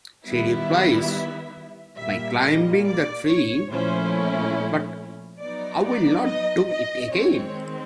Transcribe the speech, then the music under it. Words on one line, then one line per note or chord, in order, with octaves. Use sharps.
She replies, "By climbing the tree, but I'll not do it again".
D#3 G3 B3 E4 E5
A#2 G3 A#3 E5
D#5
D5
C#5
A#2 F3 A3 C#4 E4 C5
F#3 B3 D#4 D5
D5
D#5
D#5
D#3 G#3 C4 C#5